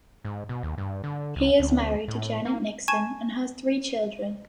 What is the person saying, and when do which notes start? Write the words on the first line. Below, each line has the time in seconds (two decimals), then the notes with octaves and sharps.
He is married to Janet Nixon and has three children.
0.25 G#2
0.49 B2
0.63 D#2
0.78 G2
1.04 D3
1.36 C#2
1.60 D2
2.08 A2
2.45 A#3
2.88 G#5 A5 C#6 G#6 D#7 E7